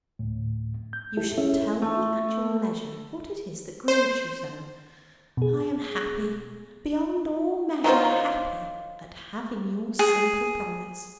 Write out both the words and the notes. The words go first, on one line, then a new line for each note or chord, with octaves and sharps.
"You shall tell me at your leisure what it is that grieves you so; I am happy--beyond all measure happy!--at having your simple promise."
D2 A2
G6
E4 G4 A4
C#4 E4 G#4 A4 E5
A3
C5
B2 G#4
D#3 F#3 F4 C5
G#4